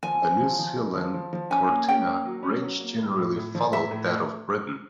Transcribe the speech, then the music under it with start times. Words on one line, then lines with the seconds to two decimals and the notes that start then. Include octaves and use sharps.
The New Zealand Cortina range generally followed that of Britain.
0.03 F3 G#5
0.22 C4
0.41 F3
0.59 F3
0.77 G#3
0.95 F3
1.14 F3
1.33 F3
1.50 C#4 G#5
1.69 A#3
1.88 C#4 G5
2.06 A#3
2.25 F#3
2.43 C#4
2.62 F#3
2.80 A#3
2.99 A2
3.17 A2
3.36 A2
3.55 F3
3.73 A2 E5
3.91 A2
4.10 A3